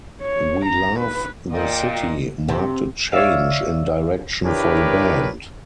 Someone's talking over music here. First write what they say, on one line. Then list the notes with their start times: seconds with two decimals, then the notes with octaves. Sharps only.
"We Love the City" marked a change in direction for the band.
0.22 C#5
0.66 A#5
1.00 B4
1.51 A#2 D5 D#5 G5
2.48 C3
3.12 C#5 D5 E5 F5
4.45 D4 E4 G4 A#4 B4 C#5